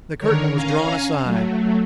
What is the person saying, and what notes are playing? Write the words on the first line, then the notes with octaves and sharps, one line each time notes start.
The curtain was drawn aside.
D3 D#3 A#4 C#5
C#4 F5 G#5 A#5
F#3 A3